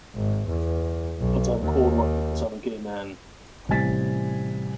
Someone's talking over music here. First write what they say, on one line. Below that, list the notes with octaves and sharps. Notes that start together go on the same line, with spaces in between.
But I'm called one because I'm a gay man.
G#1
E2
B1
D#2
A1 C3 G3 G#5 A6 B6